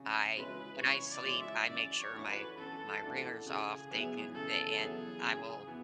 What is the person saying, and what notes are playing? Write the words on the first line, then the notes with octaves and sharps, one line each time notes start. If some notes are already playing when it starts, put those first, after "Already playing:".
I when I sleep I make sure my my ringer's off. They can a and I will
Already playing: C#3
G#3 C#4 E4 B4
C#3 C#5
D5
G#3 C#4 E4
E5
F#2 D5
C#5
E3 A3 D4 F#4
B4
F#2 A4
E3 A3 D4 F#4
C#3 G#4
F#3 B3 E4 G#4
C#3 A4
F#3 B3 E4 G#4
C#3
E3 B3